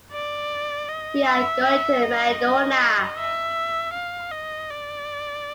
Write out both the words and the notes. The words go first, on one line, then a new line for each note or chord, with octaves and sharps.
We are going to Mediona.
D5
D#5
E5
E5
D#5
E5
F5
D#5
D5